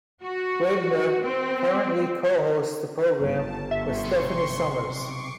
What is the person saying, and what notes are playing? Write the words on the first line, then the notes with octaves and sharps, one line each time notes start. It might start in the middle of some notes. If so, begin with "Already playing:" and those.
Wegner currently co-hosts the program with Stephanie Summers.
F#4
C4
G1 A5
E5 C6 C#6
B1 C3
C#6 D6 C7